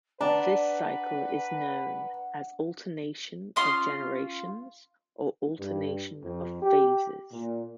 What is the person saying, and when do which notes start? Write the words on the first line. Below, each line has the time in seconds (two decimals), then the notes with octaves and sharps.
This cycle is known as alternation of generations or alternation of phases.
0.21 D4 B4 D5 F#5 A5 A#5
3.56 C#4 F4 C6 D#6
5.58 G2
6.24 F2
6.62 G4
7.32 A#2